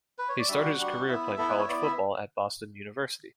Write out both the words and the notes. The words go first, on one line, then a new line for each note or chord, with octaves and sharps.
He started his career playing college football at Boston University.
B4
C#5
D5
G3 D4 F#4 E5
F#5
G3 D4 F#4
B3 E4 E5
B3 E4 A4
B4
C#5
B3 E4 D5
E5